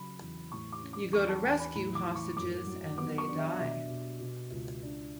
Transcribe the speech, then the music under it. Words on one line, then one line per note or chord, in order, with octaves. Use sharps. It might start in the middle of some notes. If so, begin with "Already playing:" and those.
You go to rescue hostages and they die.
Already playing: C#3 F#3 B5
E2
A2 C#6
D6
C#4
D6
E2 C#6
A5
E2 G#5
B5
A2 B5
D6
E3
C#6
F#2 D6
F#3
B3 D6
C#6
D4
E5
B2 E5
B2
B2
C#2
D4